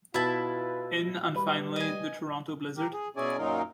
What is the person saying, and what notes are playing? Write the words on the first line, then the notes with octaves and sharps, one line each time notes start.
In and finally the Toronto Blizzard.
B2 E4 F4 B4 E5 A5
G3 B4
D#5 G#5
G4 A#4
G#4
B2 C#4 E4 G#4 D5 G#5
F#2 A#2 F#3 D#4 F4 A#4